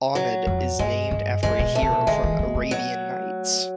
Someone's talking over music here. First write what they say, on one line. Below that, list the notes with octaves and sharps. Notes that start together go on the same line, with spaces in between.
Ahmad is named after a hero from Arabian Nights.
F#3
F2
G2 G#3
G2
F#2 G#3
B2
A3
C3
B2
D3 G#3
E3
A#3
A3
F#3